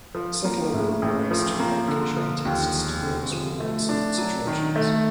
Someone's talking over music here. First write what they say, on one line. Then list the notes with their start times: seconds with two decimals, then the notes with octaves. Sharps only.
The second level relates to the application of the texts to various real-world situations.
0.15 F3
0.45 A#3
0.73 A2
1.02 A1
1.31 F3
1.60 A#3
1.88 D3
2.17 F3
2.45 D#2
2.74 E1
3.02 D3
3.31 F3
3.60 A3
3.89 D4
4.18 F#3
4.47 D#3
4.76 A3